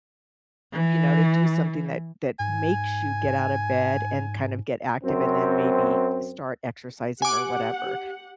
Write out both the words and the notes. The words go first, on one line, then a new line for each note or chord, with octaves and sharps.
you know, to do something that that makes you get out of bed and kind of get active, and then maybe start exercising or whatever.
E3
G#2 G#5
F#2 C4
G4 F#5 G#5 D6